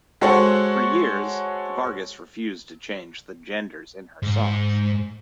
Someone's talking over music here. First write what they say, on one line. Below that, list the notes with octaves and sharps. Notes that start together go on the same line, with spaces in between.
For years Vargas refused to change the genders in her songs.
G#3 F#4 A4 C5 C#5 F#5
G#2